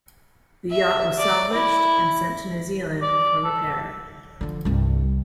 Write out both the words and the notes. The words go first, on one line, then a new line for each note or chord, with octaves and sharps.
The yacht was salvaged, and sent to New Zealand for repair.
E5
D5
E4
D5
A4
D3 F3
C2 G2